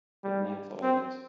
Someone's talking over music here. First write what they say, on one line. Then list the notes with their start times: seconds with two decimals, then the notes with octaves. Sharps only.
But now follow this!
0.24 G3
0.82 C4